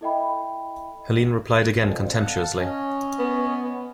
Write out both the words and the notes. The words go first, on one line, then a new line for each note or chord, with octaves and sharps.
Helene replied again contemptuously.
E4 A4 D#5 E5 G5 B5
F2 A#2 F3
F5 F#5 A5
C#4 C#5 D#5
B3